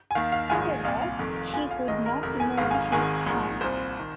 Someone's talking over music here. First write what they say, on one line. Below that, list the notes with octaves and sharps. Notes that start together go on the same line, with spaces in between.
However, he could not move his hands.
G#5
D#2 D#3 F5
F5
A#1 G#2 D#3 G#5
C2 A#2 F5
F5
F1 F2 D#3
A#1 A#2 G#5
F5
G#1 G#2 D#3 D#5
A#4
F1 F2 C3 A#4
G#5
G#1 G#2 D#3 F5
G#5
F5
G#1 G#2 D#3 G#5
A#1 G#2 D#3
C2 A#2 C5
D#3